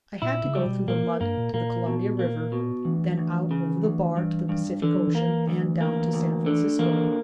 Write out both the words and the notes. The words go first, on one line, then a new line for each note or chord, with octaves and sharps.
I had to go through the mud to the Columbia River, then out over the bar to the Pacific Ocean, and down to San Francisco.
A#2 E4
C#3
G3
B2
A#2 A#3
G2 A#3
A#2
A#2 A#3
B2
A#3
B2
D2 E3
D2
C#3
D2
G2
G2
D3 E3
F#3
E3
A#3
D2
A#3
D2
D3
E3 A#3